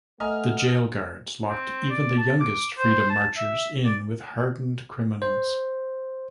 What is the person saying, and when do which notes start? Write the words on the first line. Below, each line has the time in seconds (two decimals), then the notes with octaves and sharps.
The jail guards locked even the youngest freedom marchers in with hardened criminals.
0.20 A3 B4 D#5 F#5 G#5 A#5 F6
1.49 C4
1.90 D5
2.17 A5
2.40 D6
2.78 C5
3.10 A5
3.37 E5
3.85 D5
5.22 C5